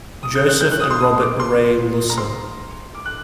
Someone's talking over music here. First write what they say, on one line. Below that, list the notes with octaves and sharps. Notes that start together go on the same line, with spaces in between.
Joseph and Robert 'Ray' Lusse.
D#6
G6
F#6
G6
F#6
D#6
C6
D#6
D6
C6
A#5
C6
D6
F#6